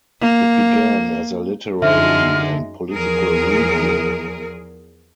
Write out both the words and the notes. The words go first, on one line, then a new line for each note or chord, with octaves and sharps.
It began as a literary and political review.
A#3
F#2 D3 G#3 D#4 E5 F6
E2 F3 G#4 A#4